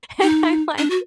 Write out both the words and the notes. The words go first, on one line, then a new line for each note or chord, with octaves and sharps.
and I'm like,
D#4
D4
F#4